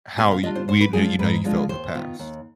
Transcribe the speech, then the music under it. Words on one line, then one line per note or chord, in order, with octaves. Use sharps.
how y we knew you know, you felt in the past."
B2 G#5
F5
G3 D4 F4 D#5
C5
G#2 C5
B4
F3 G#3 D4 F4 G#4
G#2 B4
F3 G#3 D4 F4
D#2 C5
D#3 B3 F4
D#2